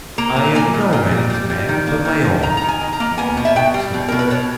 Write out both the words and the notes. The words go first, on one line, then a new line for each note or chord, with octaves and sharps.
"I am no man's man but my own," he answered, simply.
A#3 A#5
A#2
A#3 G#5
A#2
A#2
G3
G3
G3
D#3
A#3
D#3
D#3
D#3 A#5
D#3 A#5
G#5
D#3
A#5
A#3
B3 G#5
B2
E5
B2 G5
G3
B2
B2 A#4
B4
B2 C#5